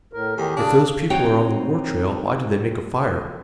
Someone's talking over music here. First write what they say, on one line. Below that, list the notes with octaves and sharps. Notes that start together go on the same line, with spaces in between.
"If those people are on the war-trail why do they make a fire?"
A2 A#4
E2 D#3 G4
C#3 D4
C4 D#4 F#4 C#5 G5